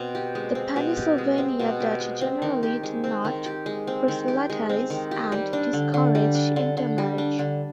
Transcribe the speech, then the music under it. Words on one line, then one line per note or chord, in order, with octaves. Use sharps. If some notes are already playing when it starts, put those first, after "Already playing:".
The Pennsylvania Dutch generally do not proselytize and discourage intermarriage.
Already playing: B2 C4
G4
G#3
C4
B2
G4
G#3
C4
B2
G4
G#3
C4
D#3
G4
G#3
C4
D#3
G4
G#3
C4
D#3
G4
G#3
C4
D#3
G4
G3
D4
D3
D3
G3
D4
D3
D3
G3
D4
D3